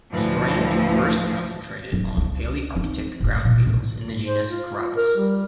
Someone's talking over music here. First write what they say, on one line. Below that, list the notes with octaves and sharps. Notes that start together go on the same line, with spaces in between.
Strand first concentrated on Palearctic ground beetles in the genus "Carabus".
D2 A2 E3 F3
D1 F#3
C#2
C4 D#4
A2 A3
A#2
A2 D3
C5
F4
A#4
G3